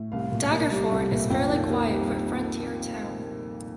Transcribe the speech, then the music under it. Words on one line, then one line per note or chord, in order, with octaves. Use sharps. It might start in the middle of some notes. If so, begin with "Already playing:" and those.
Daggerford is fairly quiet for a frontier town.
Already playing: A2
C2 F5
A#2
A#3
G3
C2
A#2
F2 G5
D#3
A#3
G3